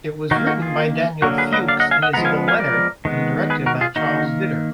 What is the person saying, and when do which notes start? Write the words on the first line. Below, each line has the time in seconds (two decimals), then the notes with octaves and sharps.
It was written by Daniel Fuchs and Isobel Lennart and directed by Charles Vidor.
0.31 D#3 D#4 F#4
0.36 A#3
0.47 D#4 F#4
0.62 F4 G#4
1.22 D3 F#3 A#3 F#4 A#4
1.38 G#4 B4
1.53 B4 D#5
1.68 D5 F5
1.80 D#5 F#5
1.91 F5 G#5
2.02 D#5 F#5
2.13 B3 F#5 A#5
2.17 F3 G#3
2.25 F5 G#5
2.48 F5 G#5
2.59 A#4 D5
3.05 D#3 G#3 B3
3.50 G#4 B4
3.66 F#4 A#4
3.81 F4 G#4
3.96 D#3 A#3 D#4 F#4